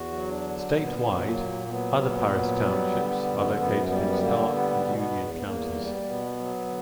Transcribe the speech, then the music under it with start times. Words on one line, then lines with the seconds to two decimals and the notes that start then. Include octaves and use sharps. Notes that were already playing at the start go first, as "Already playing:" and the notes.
Statewide, other Paris Townships are located in Stark and Union counties.
Already playing: E2 F#4
0.11 F#3
0.27 D4
0.43 D3
0.74 A#2 B3
1.06 F#3
1.21 A#3
1.36 A#2
1.67 F#3 B3
1.99 A#2
2.31 F#3
2.61 G3
2.92 D3
3.23 F#2
3.55 F#2 B3
3.86 G3 B3
3.95 A#3
4.04 B3
4.18 D3 A#3
4.48 G3 B3
4.81 B2
4.95 B3
5.11 E2
5.34 B3
5.42 E2 A#3
5.74 G3
5.89 B3
5.96 A#3
6.04 B2 B3
6.36 F#3
6.66 D3